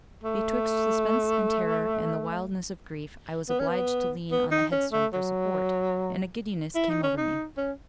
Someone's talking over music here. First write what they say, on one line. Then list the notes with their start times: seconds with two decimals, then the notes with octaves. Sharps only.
Betwixt suspense and terror, and the wildness of grief, I was obliged to lean on the headstone for support, and a giddiness came over me.
0.24 A3
3.49 B3
3.59 C#4
3.69 B3
4.31 B3
4.51 D#4
4.72 C#4
4.92 A3
5.13 F#3
6.75 E4
6.90 D#4
7.03 C#4
7.17 D#4
7.57 C#4